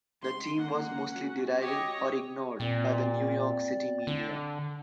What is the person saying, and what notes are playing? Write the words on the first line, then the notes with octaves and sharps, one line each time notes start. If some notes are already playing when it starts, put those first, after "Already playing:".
The team was mostly derided or ignored by the New York City media.
C#2 C6
A#3 F#5
C#4 F#4
G4 C#5 D#5
A#2 C4 D5
D3